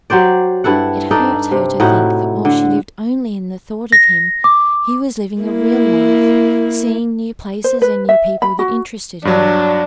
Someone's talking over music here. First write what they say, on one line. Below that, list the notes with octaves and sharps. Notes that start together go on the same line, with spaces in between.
It hurt her to think that while she lived only in the thought of him, he was living a real life, seeing new places and new people that interested him.
F#3 G4 C5 D5
G2 E4 A4 F#5
D4 D#4 A4
C3
A2 D#4 E4 F#4
D3
A#6
D6
A#3 E4
C5
B4
E5
B5
F#4
G2 F#3 D4